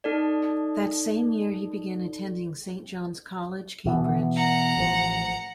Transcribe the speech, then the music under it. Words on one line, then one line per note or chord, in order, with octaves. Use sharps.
That same year he began attending Saint John's College, Cambridge.
D#4 A4 D5
B2 E3 B3
F#5 A#5
A1 F3